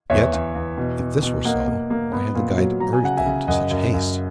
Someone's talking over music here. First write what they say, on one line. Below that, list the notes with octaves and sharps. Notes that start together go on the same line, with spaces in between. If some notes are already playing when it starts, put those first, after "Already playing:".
Yet, if this were so, why had the guide urged them to such haste.
E2 C#5 E5
E2
E2
B2
B2
B2
A#3 D#5 F#5
A#3
A#3
B3
A#2
F#3
F#3 A#5
G#5
C#3 F#5
E5 G#5
C#3
F#2 D#5 F#5
F#2
F#2